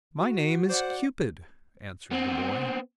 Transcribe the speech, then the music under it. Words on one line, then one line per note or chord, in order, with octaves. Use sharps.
"My name is Cupid," answered the boy.
F#4
C5 D5 F#5
B3 C4